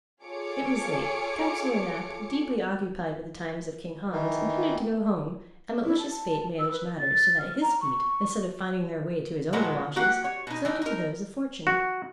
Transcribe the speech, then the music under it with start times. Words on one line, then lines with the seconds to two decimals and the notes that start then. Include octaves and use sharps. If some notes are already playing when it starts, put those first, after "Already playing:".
It was late; Councillor Knap, deeply occupied with the times of King Hans, intended to go home, and malicious Fate managed matters so that his feet, instead of finding their way to his own galoshes, slipped into those of Fortune.
0.23 F4 G#4 A4 C#5 D6 C#7
4.12 D#3 E3
5.84 E4
5.98 A5
6.58 E6
6.70 B4
6.98 A6
7.38 F6
7.61 A#5
7.81 C#6
9.53 A#2 F3 F#3 G#3 A3 B3
9.96 A#3 F#4 G4 F#5
10.24 C#5
10.47 B2 D#4
10.65 E3 D#4
10.82 D#4 A#4
11.67 F#4